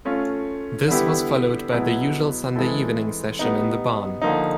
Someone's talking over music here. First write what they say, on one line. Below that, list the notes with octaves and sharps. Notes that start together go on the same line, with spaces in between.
This was followed by the usual Sunday evening session in the Barn.
A3 C#4 F4
D3 G3 B3 E4 G4
B2 F#3 B3 E4 G#4
E3 G#3 C4 E4 A4
G3 B3 D#4
D3 F3 A#3 D#4